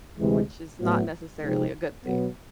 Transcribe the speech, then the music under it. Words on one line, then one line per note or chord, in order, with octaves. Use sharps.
which is not necessarily a good thing.
D2 C3 E3 G#3
A2 F#3 B3 E4
C3 F3 G#3 C4 D#4
B2 F#3 B3